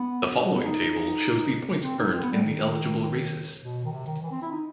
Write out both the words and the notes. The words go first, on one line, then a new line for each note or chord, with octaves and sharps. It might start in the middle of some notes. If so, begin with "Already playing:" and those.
The following table shows the points earned in the eligible races.
Already playing: B3
F#3
B3
D#4
C4
D#4
C4
B3
G3
D#3
B2
D#3
C3
D#3
E3
C4
E4
D#4